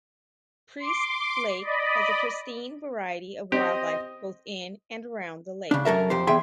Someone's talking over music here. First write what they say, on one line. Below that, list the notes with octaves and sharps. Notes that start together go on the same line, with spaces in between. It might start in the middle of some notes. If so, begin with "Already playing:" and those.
Priest Lake has a pristine variety of wildlife both in and around the lake.
C6 D6
D5 D#5 B5
C4 G4 D#5
C#3 D4
F#2 A4 A#4 E5
F2 G4 C5
E2 G#4 E5 G5 C6